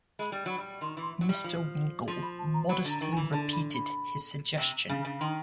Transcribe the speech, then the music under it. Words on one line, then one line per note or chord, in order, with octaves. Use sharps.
Mr. Winkle modestly repeated his suggestion.
G#3 B5
G3
F#3 B5
G3
D#3 C6
E3
C6
F#3
G3
F3
F3 C6
B5
A5
A#5
F#3 B5
D3
A#5
D#3
G#5
E3
D3 A5
B5
B5
C3
C#3
C#3
D#3 C6